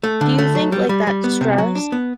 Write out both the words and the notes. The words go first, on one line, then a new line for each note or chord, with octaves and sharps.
Do you think, like, that stress
A3
D3
A3
F#3
G3
G3
G3
B3
C3
F#3
D4
B3